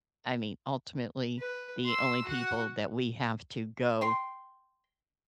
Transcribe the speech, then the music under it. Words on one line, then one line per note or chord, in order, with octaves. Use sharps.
I mean, ultimately, the only people that we have to go
B4
C6 E6
F#4 F#5
G5 C6